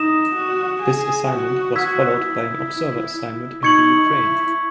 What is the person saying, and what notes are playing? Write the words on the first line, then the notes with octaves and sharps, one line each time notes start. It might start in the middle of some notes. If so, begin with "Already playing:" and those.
This assignment was followed by an observer assignment in the Ukraine.
Already playing: D#4 D#6 A#6 E7
F#4
G#4
F#4
F#4 E6 G#6 B6
E4
D#4 C#6 G#6 C#7 F#7
E4